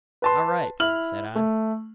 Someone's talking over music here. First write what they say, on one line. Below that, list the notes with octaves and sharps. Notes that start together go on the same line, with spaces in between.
"All right," said I.
B4 A5 C6
E4 F6 F#7
A3